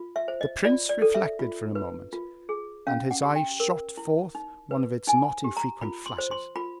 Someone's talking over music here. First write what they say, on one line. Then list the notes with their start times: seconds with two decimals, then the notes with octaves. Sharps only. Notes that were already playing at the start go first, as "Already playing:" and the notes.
The prince reflected for a moment, and his eye shot forth one of its not infrequent flashes.
Already playing: F4
0.16 E5
0.28 C5
0.41 D#5
0.64 F4 D5
0.89 D5
1.02 A4
1.15 E5
1.39 F4
1.75 B4
2.13 F4
2.49 G#4
2.87 C#4 F5
3.11 F#5
3.23 G4
3.36 G5
3.60 A#4
3.97 E4
4.35 D#4
4.71 B4
5.07 D#4 G#5
5.44 G4
5.57 A#5
5.81 F4 B5
6.06 C6
6.18 C5
6.31 C6
6.56 F4 B5